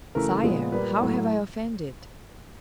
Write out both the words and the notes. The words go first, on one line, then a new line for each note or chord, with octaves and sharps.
"Sire, how have I offended?"
C#3 E3 A3 A#4
A#2 F3 G#3 B3
A#2 G3 A#3 B4
A2 F#3 A3